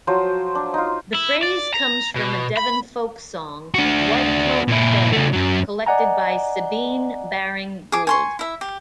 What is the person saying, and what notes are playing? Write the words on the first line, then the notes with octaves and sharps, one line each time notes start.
The phrase comes from a Devon folk song "Widecombe Fair", collected by Sabine Baring-Gould.
F3 F#3 C5
D4
D#4 F4
E4
D5
A#5
B2
B5
D4 F#4
A#2 E4
C#3 A3
F#2 F#3
D5 D#5 F#5 G#5 A#5
G#4 D6
G#5 C6 C#6
E4 E5
G4